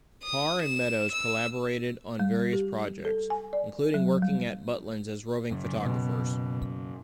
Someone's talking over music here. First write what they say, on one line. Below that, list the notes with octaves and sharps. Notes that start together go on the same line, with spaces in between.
Parr and Meadows collaborated on various projects, including working at Butlin's as roving photographers.
D#6
E7
E6
G3
G4
A4
G#5
D5
F#3
G3
F#2 C#3
B2